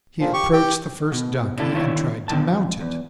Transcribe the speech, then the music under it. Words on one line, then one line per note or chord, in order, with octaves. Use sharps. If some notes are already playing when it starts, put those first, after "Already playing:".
He approached the first donkey and tried to mount it.
A#2 F3
G4 C#6
G4 G5
B2
D#2 D3 E4 A4
D3 D#3 E4 C#5
B2 D#3 A5
F2
E2